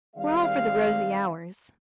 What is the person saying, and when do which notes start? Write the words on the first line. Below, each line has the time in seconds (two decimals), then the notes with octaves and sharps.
We're all for the rosy hours.'
0.16 D#3 G3 G#3 C4 D5 F5